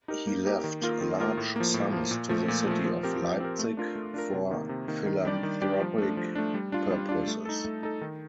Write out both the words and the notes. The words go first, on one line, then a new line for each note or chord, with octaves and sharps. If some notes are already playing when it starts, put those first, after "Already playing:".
He left large sums to the city of Leipzig for philanthropic purposes.
D#4 G4 A#4
A#3
D#4 G4 A#4
D#3
A#3 F4 A#4
D#3
A#3 F4 A#4
A2
F3 A#3
A2
F3 A#3
A#2
F3 A3
A#2
F3 A3
F3
C4 G4 A#4
F3
C4 G4 A#4
A3
D4 F4 A#4
A3
D4 F4 A#4
C3
D#3 A#3
C3
D#3 A#3
D#3
G3 D4 G4 D5
D#3
G3 D4 G4 D5
F3
A3 D4
F3
A3 D4
G3
D4 F4
G3
D4 F4
A3
D#4 A4
A3
D#4 A4
D#3